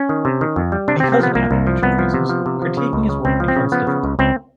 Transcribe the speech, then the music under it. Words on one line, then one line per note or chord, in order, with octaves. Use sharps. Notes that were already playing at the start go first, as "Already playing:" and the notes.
Because of aforementioned reasons critiquing his work becomes difficult.
Already playing: C#4
D#3
C3
D#3
F2
G3
C3 D4
C4
C3
C4
F3 B3
C2 A#3
C2
F3
C2 B3
F3
C3
F3
C3
F3
C#3
C#2
C#3
C#2 C4
F3
C4
C#3
F3 B3
C#3
C#2
C#2 C4